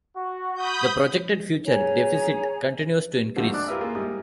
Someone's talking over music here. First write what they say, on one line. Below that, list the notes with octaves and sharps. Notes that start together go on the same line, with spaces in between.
The projected future deficit continues to increase.
F#4
B5 D#6 G6
G#4 C#5 G#5 A#5
D3 F3 G3 A3 A#3 F#4
G#1 D4 D6 F#6
E4 F4 G4 A#4 B4 E5
A#3 F4 G#4
G#2 G3 A#3 E4 D#6